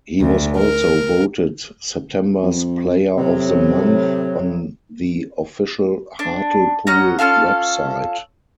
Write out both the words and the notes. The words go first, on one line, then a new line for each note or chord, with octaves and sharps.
He was also voted September's Player of the Month on the official Hartlepool website.
D2
A#4
F2
A2 C3 F#3
D4
C#4 D#5 F#5 A#5
C#4 F4 A4 F5